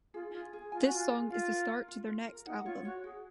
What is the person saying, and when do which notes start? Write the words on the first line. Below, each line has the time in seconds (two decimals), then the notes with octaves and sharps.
This song is the start to their next album.
0.14 F4 G#4
0.30 D#4
0.33 F4 G#4
0.53 G#4
0.72 F4 G#5
0.83 F#4
0.92 F4 G#5
1.10 G#4
1.30 F4 F5
1.50 A#4
1.68 F4
1.88 F4
2.08 F4
2.26 A#4
2.46 D#4 F#5
2.65 F4 C#5
2.85 F#4 C#5
3.04 F#4 G#4